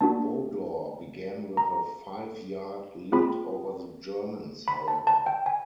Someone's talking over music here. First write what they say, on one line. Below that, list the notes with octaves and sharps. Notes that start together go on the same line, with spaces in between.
Bodor began with a five-yard lead over the Germans, however.
A#3 D4 F#4 A5
A#5
C4 F4 G#4 B5
B5
A5
A5
G5
G#5